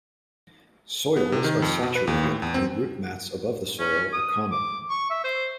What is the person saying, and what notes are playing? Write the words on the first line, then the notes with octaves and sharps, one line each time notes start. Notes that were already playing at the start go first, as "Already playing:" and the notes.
Soils are saturated and root mats above the soil are common.
B3
C3
D#3
F2
B2
B4
D#2
A2
E2
C4
C#4
D#6
D6
C#6
E5
C5